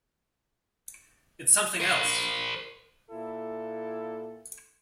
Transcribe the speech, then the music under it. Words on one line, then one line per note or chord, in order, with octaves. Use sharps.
It's something else!!!
A#4 C5
A#2 E4 A4